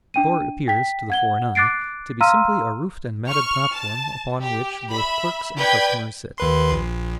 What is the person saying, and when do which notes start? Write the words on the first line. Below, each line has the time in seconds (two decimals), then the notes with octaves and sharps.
The store appears, to the foreign eye, to be simply a roofed and matted platform upon which both clerks and customers sit.
0.14 D4 G5 D#7
0.68 G5 B6
1.10 F#5 G#6 G7
1.55 D6 F#6 A6 C7 D7
2.21 F5 A#5 C6 E6 F6 D#7
3.27 C#6 F6
3.73 A5
4.41 G4
4.91 E5 B5
5.58 B4 D5 G5 G6 G#6
6.38 D#2 B4 C6
6.71 A#1